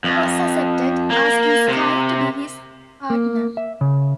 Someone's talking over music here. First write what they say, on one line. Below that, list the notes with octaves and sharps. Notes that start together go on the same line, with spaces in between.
Cross accepted, asking Sky to be his partner.
F2
A#3
C3
A#3
E5
C#3